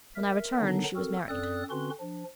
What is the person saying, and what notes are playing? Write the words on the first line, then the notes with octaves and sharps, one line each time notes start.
When I returned she was married.
A#4 E5
D3 D#3 F#3 B3 D4 D#4
C4 F#4 A4 A#4
F#2 C4 A4 D5 D#6 F#6
D3 C4 C#4 F#4 B4 C6
F3 D4